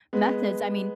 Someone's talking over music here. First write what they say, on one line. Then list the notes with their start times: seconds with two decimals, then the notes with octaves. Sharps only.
methods. I mean,
0.13 G#3 B3